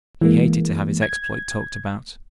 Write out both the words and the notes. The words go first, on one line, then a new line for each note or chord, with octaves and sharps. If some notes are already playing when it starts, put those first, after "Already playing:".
He hated to have his exploit talked about.
E3 G#3 A#3
G#6